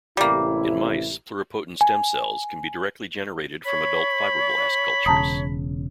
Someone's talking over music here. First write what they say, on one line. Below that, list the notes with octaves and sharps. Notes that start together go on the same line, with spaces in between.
In mice, pluripotent stem cells can be directly generated from adult fibroblast cultures.
A1 C3 G3 A#3 E4
G#5
C#5 B5
E1 C#3 A5 A#5 D#6